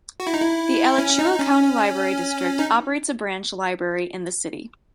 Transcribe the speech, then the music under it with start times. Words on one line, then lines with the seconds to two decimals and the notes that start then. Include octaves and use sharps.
The Alachua County Library District operates a branch library in the city.
0.20 F#4
0.27 E4
0.34 D#4
0.41 E4
0.98 C#4
1.19 D#4
1.39 C#4
2.59 D#4